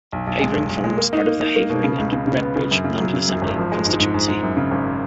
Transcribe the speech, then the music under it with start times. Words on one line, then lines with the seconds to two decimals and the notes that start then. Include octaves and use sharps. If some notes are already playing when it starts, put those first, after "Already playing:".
Havering forms part of the Havering and Redbridge London Assembly constituency.
0.12 B1
0.27 B1
0.41 G#3
0.55 B1
0.69 B1
0.84 G#3
0.98 A#3
1.13 D#4
1.27 A#3
1.41 D#4
1.56 A#3
1.70 B2
1.84 C#3
1.98 C#2
2.13 C#3
2.27 C#3
2.42 B3
2.56 C#3
2.71 F#2
2.84 C#3
3.00 F#3
3.14 C#3
3.28 F#2
3.42 G#1
3.56 F3
3.72 G#3
3.86 G#2
3.99 G#2
4.14 G#2
4.28 G#2
4.43 F#2
4.57 C#3
4.71 G#1